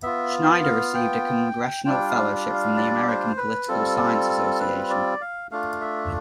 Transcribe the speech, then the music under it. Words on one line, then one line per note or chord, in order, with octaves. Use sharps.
Schneider received a Congressional Fellowship from the American Political Science Association.
B3 F4 E5
F5
G5
G3 D4 F4 G5
F5
F5
D5
C5
B4
G3 C4 F4 A4
B4
D5
F5
A3 D4 F4 F5
E5